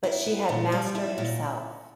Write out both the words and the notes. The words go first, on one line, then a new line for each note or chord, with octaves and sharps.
But she had mastered herself.
E4
B3
A#2
G3
E4
A#2